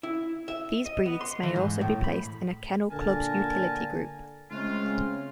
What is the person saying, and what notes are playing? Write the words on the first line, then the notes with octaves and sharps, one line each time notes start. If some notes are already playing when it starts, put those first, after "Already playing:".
These breeds may also be placed in a kennel club's Utility Group.
E4
E5
D#5
B3
C6
E3
G#2
A2
B5
A#2 D3 A#4 G#5 A5
C#3 G#3 A3 C4 F4